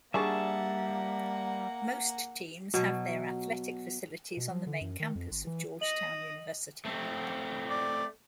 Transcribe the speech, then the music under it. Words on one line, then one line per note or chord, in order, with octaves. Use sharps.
Most teams have their athletic facilities on the main campus of Georgetown University.
G3 A#3 D4 G#4 E5 F#5 A5 C#6
B2 F#3
B2
F3
D3
F#2
D#3
F2
G1
E3
D#5 D#6 A#6 F#7
A3 C4
D5